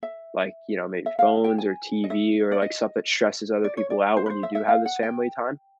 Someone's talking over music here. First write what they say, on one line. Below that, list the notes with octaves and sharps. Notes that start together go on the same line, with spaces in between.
like, you know, maybe phones or TV or, like, stuff that stresses other people out when you do have this family time?
E5
E5
F5
G5
G#5
D#5
E5
D5
D#5
D5
C#5
D5
C5
B4
C5
E5
E5
F5
F#5
G5